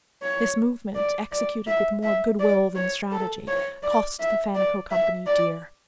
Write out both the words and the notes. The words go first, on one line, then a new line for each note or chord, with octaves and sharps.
This movement, executed with more good will than strategy, cost the Fannicot company dear.
C#5
D5
D5
E5
E5
D5
C#5
A4
C#5
D5
E5
D5
E5
D5